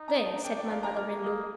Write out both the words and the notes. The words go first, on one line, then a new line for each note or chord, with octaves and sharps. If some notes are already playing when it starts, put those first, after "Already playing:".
"There!" said my mother-in-law.
Already playing: D#4
A#5
A5
D4 G5
D5
F5
A#5
A#3 F6
D#6